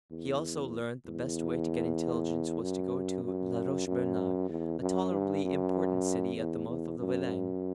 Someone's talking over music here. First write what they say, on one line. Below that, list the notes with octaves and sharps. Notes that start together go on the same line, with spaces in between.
He also learnt the best way to get intelligence was to go to La Roche-Bernard, a tolerably important city at the mouth of the Vilaine.
E2
E2
F#2
F#2
F#2
E2
F#2
G2
F#2
E2
E2
F#2